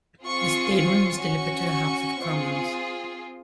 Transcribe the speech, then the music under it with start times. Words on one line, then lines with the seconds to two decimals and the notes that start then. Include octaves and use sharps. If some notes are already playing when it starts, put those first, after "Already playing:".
The statement was delivered to the House of Commons.
0.24 C4 F4 G#4 C#6
0.74 C#6
1.24 C#4 F#4 C#6
2.24 C4 F4 G#4